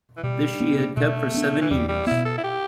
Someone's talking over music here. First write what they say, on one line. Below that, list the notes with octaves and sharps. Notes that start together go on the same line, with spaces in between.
This she had kept for seven years.
E3
B2 G3
B3 D4
B2 A3
B3 D4
E3
E2 G3
G3
B2 B3 E4
A4
E4
G4